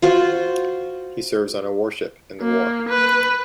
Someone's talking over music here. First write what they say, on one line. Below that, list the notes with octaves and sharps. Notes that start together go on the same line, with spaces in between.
He serves on a warship in the war.
F4 F#4 C5
A#3
B4